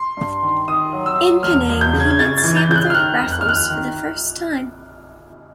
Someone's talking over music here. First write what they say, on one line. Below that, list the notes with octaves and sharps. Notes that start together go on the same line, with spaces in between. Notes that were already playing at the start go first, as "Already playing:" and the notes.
In Penang he met Stamford Raffles for the first time.
Already playing: C6
G2
D#3
D#3 D#6
F#3
E6
F#3
E1 F6
E1
G6
C#3
G#6
G#6
C#3 A6
A6
E3
G6
C#3 G6
F#6
F6
D#3 F#6
F1
F#6
F6
D#2 F#6
D#3